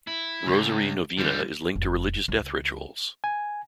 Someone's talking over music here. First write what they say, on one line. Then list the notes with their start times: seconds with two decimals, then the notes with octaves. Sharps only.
Rosary Novena is linked to religious death rituals.
0.07 E4
0.47 C#2
1.18 D3 G3
1.75 F1
2.28 C#2
3.24 G#5